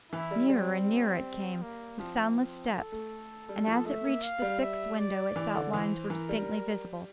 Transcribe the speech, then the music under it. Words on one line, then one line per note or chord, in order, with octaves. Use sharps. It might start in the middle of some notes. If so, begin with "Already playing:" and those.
Nearer and nearer it came, with soundless steps, and as it reached the sixth window its outlines were distinctly visible.
E3 E4
G3
G3 C4
A#3
F3 C4
A4
A3
G3
F3
A3 E5
A#3
F5
G3
E5
D5
E3
D3
E3 C5
E3 A#4
G3